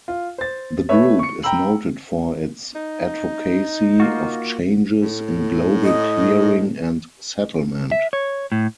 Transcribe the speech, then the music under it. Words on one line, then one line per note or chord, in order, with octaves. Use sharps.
The group is noted for its advocacy of changes in global clearing and settlement.
F4
C5 A6
A3 B4 C#5 E5
C#6 C#7
G5 A#5 B5 E6 F#7
D#4
A#3 F4 F#4
A2
D#5
E5
C#5
A2